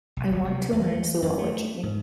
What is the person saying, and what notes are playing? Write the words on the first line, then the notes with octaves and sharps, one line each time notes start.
I want to learn Zoology.
B1
D1
C3
E2
A3
F#2
A3
G#2